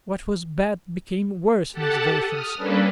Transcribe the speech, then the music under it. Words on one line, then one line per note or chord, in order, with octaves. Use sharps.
What was bad became worse in his versions.
G4 A4 F#5 A5
D#6 F6
G3 A#3 C#4 D4 A4 B4